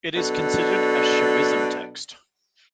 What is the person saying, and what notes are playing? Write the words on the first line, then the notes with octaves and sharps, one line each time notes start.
It is considered a Shaivism text.
B2 F#3 D4 A4